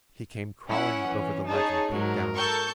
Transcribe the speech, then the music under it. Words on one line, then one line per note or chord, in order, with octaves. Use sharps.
He came crawling over the ledge and peeked down.
C#4 E4 F#5
E3
D#4 G#4 C#5 A5
G#2 F#3 A#4
A4 C#6 G6